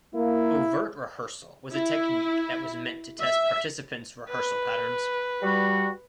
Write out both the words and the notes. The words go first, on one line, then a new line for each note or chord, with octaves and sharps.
Overt-Rehearsal was a technique that was meant to test participants' rehearsal patterns.
A#3 E4
E4
E5
B4
G3 F#4